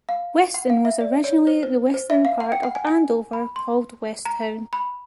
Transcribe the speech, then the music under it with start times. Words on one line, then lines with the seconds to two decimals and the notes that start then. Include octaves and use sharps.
Weston was originally the western part of Andover called West Town.
0.09 F5
0.54 F#5
0.70 F5
0.85 E5
1.01 D5
1.24 C#5
1.47 C5
1.63 C5
1.94 C5
2.10 E5
2.25 F5
2.40 F#5
2.52 G5
2.63 F#5
2.75 G#5
2.87 G#5
3.33 B5
3.56 C6
4.25 A#5
4.73 B5